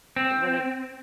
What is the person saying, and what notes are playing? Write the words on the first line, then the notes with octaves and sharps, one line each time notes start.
It would've
C4